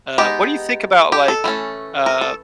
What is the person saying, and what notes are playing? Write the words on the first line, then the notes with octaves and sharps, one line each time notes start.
Uh, what do you think about, like, uh,
G#3 B3 D#4 G4
G4
A4
E3 A3 C#4
A#4
A4